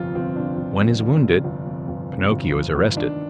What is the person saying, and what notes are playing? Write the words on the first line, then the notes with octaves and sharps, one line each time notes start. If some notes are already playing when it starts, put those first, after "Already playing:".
One is wounded. Pinocchio is arrested.
Already playing: G1 F2 C3 F4
G1 C4
C3 D4
G1
F2
G1
C3
G1
F2
G1
C3
G1
F2
G1
D#3 D4